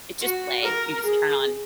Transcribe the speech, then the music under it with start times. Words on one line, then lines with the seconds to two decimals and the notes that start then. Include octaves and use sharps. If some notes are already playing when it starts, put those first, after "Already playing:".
it's just play. You just turn on
0.20 F#4
0.62 A#4
1.04 G#4